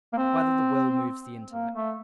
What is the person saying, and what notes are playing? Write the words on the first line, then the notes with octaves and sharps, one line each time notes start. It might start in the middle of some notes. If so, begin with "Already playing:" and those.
Whether the Will Moves the Intellect?
A#3
C4
A#3
A3